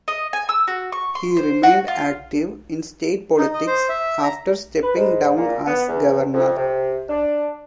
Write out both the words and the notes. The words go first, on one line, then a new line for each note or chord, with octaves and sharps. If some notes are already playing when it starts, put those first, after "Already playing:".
He remained active in state politics after stepping down as governor.
D#5
G#5
E6
F#4
C#6
C6
C5
F#4
F4
D#4
D#5
C5
E5
A#5
B4
G#2
A#2
B3
E2
F2
C3
D4